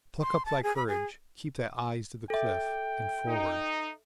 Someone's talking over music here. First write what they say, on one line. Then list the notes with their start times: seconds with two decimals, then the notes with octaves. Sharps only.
Pluck up thy courage, keep thy eyes to the cliff, and forward.'
0.22 C6
0.45 A5
0.63 G#4
0.76 B5
0.88 G#4
2.30 A4 E5 G5
3.26 D#4